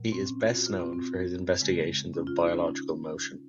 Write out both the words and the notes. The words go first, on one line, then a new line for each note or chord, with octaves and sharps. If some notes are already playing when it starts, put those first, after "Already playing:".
He is best known for his investigations of biological motion.
Already playing: A#2 F#3
C4
C#4
F4
F#4
F4
C4
C4
C#3 G#3
C#4
F4
D#4
C#4
C#4